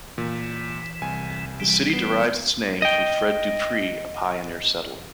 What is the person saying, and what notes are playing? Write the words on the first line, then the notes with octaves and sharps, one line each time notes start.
The city derives its name from Fred Dupris, a pioneer settler.
A#2 E3
C2 G#5
E3 G3
B3 C7
D#5 G5